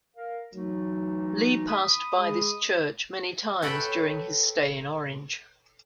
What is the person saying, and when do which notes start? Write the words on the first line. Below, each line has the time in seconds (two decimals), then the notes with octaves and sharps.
Lee passed by this church many times during his stay in Orange.
0.16 A#4 F5
0.54 E3 F#3 A3 D#4
1.69 B5 D#6
2.17 G#3
3.62 A4 B4 C#5 G5 A5 B5